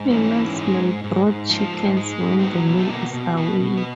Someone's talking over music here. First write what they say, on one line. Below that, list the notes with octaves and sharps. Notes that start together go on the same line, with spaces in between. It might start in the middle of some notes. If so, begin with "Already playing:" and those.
Females may brood chicks when the male is away.
Already playing: G#2
E3 C#4
G#2
G#3
G#2
G#2
G#2
F3
G#2
G#3
G#2
C4
F#3 B3
B2
A3
B2 A#3
B2
B2 B3
B2
B3